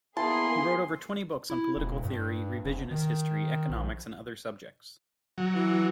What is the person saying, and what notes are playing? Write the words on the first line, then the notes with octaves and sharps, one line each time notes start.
He wrote over twenty books on political theory, revisionist history, economics, and other subjects.
A#3 B3 E4 G#4 A5 C6
E4
E1
G2
F1
D#3
A#1
F#3
E3